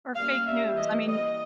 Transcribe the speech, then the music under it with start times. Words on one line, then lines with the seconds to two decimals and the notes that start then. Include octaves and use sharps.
Or fake news, I mean,
0.16 G3 A#3 C#4 F5
0.46 E5
0.76 E3 G3 A#3 D#5
1.05 D#5